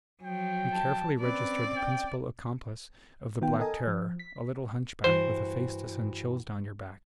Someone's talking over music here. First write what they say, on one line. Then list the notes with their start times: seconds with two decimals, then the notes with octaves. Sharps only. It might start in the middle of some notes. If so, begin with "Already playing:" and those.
We carefully registered the principal accomplice of the 'Black Terror,' a little hunchback with a face to send chills down your back.
0.23 F3 F#3 G5
0.72 A5
1.21 C4 C#4 B4 D5
1.76 G5
3.41 D#3 B3 F4 G5
3.59 A4 A#4 D#5 G#5
3.87 F3
4.19 B6
5.04 G2 E3 F#4 C5